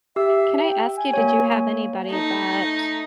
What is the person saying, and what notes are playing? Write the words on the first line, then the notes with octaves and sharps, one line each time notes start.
Can I ask you, did you have anybody that
G4 E5 E6
G5
G#5
A#3 C#5
A3 D#4